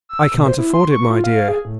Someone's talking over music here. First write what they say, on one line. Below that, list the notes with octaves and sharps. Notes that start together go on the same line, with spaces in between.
"I can't afford it, my dear."
E6
B2
C5
E4
C6
C#6
F4
F5
G#4
A2